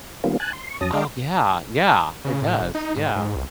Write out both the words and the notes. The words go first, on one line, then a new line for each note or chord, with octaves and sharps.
Oh, yeah, yeah, it does, yeah.
D#3 G3 A#3 B3 C#4 F4
G#5 A5 F#6
C6
C#6
F2 F#3 C#4 A5 D#6 A#6
G#3 D4 D5 D#5 F5 G5
C#3
A2
F1
D#4
G#2
G#2
C2